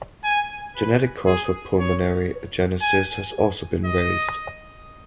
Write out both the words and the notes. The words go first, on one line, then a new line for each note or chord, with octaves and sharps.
Genetic cause for pulmonary agenesis has also been raised.
G#5
B4
G#4
C#5
G#5
D#5